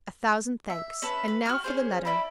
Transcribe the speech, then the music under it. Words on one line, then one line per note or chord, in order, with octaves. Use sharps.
"A thousand thanks--and now for the letter."
E5
C#4 B4 E5 A5
B4
F#4 G5 C#6 F6
C#4 G#4 C5
E4 D5 E5 B5